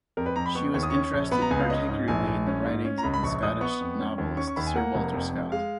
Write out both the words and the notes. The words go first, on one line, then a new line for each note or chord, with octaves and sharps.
She was interested particularly in the writings of the Scottish novelist Sir Walter Scott.
F2 A#4
B4
F2 A#5
B5
B3 C#6
D#2 C#6
D#6
C#4 C#6
A#1
B3 B5
A#5
C#2 G#5
F5
C#4 D#5
G#2
A#1 G#5
A#1
C#4
G#2
C#4
A#5
C#2 B5
B5
A#1 C#6
A#1 D#6
B3 C#6
F2
C#4
D#2
C#4 C#6
C#6
D#2 B5
G#5
A#3 F#5
F1
F2
F2
G#3 F5